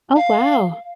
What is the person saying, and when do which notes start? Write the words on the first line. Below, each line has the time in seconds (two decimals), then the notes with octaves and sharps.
Oh, wow.
0.17 F5